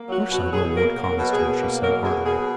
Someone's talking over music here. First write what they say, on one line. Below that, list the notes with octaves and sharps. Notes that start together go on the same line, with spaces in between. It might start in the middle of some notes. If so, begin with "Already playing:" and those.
"Of course I will, Lord Conniston," she said heartily.
Already playing: A#3
F#3 F#4
B2 F#4
B2 G#4
A#3 A#4
F#3
A#4
B2
G#4
B2
A#3
F#3 A#4
B2 G#4
B2 G#4